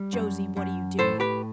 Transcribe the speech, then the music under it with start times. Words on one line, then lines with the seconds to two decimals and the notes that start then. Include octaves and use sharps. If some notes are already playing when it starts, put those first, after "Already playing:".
"Josie, what are you doing?"
Already playing: G3
0.13 F#2
0.57 F#2
0.99 A2 A4 C5
1.20 G4 B4